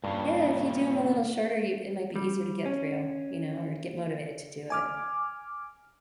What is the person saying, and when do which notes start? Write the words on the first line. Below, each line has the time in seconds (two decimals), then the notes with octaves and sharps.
Yeah, if you do 'em a little shorter, you it might be easier to get through, you know, or get motivated to do it,
0.04 G2 A#2 C#3 C#5
2.16 G3
2.66 C#4
4.70 G#5 D6 F6